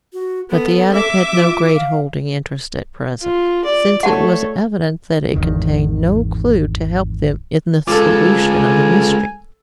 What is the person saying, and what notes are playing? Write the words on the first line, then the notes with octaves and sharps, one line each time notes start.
But the attic had no great holding interest at present, since it was evident that it contained no clue to help them in the solution of the mystery.
F#4
B3 A4
E5 D6
F4
F5
F4
D5
A3 C#5 F#5 A5
G#1 E2 D#3
G#3 F4 A4 G#5 D6